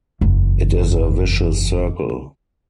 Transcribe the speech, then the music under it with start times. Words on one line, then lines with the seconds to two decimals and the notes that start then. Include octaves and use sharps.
It is a vicious circle.
0.21 F#1 E2